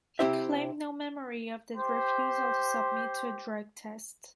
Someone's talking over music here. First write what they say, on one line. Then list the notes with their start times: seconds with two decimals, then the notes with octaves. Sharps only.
He claimed no memory of the refusal to submit to a drug test.
0.19 C3 C4 E4 G4 C5 E5
1.76 G4 C5